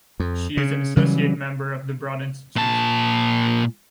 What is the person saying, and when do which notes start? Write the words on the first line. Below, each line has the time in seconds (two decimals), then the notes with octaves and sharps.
She is an associate member of the Broad Institute.
0.20 F2
0.57 C#3
0.97 C#3 E3 F#3 G3
2.56 A#2 A5